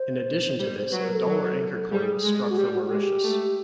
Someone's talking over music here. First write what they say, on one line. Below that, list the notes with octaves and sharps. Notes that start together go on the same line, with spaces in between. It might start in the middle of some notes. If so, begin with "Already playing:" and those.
In addition to this, a dollar anchor coin was struck for Mauritius.
Already playing: C5
G3 C5
F#3 B4
A#4
A4
F#3
G3 G#4
G#3
F#4
G3 G4
F#4
F#4
G#3 G4
A3